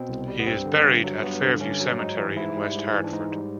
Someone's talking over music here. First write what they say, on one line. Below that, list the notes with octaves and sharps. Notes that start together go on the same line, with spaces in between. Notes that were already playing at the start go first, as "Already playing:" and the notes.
He is buried at Fairview Cemetery in West Hartford.
Already playing: B2 C4
C2
G3
B3
G2 C4
D3
G2
F#3
G2 B3
D3
G2 C#4
F#3
G#2 D#4
E3
G#2 E4
G3
G#2
E3
D4
G#2 D#4
G3